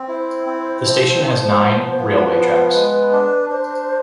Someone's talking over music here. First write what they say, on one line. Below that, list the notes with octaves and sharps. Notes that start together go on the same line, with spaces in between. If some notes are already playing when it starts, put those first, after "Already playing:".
The station has nine railway tracks.
Already playing: C4
E4 C5
C4
F3
F3
B3
F3 B4
B3
G#3
D4
D4 C5